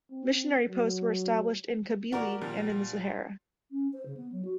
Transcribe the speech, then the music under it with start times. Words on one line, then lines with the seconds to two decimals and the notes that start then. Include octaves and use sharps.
Missionary posts were established in Kabylie and in the Sahara.
0.11 C4
0.68 F#3
2.12 F#4 G4 A#4 D5 F#5 A#5
2.41 A#2 F3 G3
3.71 C#4
3.93 C5
4.06 C#3
4.17 B3
4.32 F#3
4.45 F#4